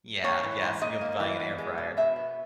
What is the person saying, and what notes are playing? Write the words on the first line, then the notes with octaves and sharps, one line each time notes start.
Yeah, yes, and you'll be buying an air fryer.
A#3 C#5
E3
G#2
G#2 D#5
A#3
E3
B3
G#3
B2
B2 E5
B3